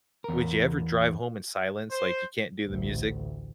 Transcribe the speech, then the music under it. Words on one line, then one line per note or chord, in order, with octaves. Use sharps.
would you ever drive home in silence, like, you can't do the music?
E2 A#4
C5
A1 D2